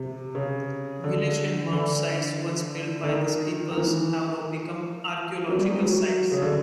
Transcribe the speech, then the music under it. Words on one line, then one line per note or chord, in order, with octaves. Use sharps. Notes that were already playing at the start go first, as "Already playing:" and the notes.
Village and mound sites once built by these peoples have now become archaeological sites.
Already playing: C3
C#3
D3
D3
D3
D#3
D#3
E3
F#3
G3
G#3
G3
F#3
C#3
D3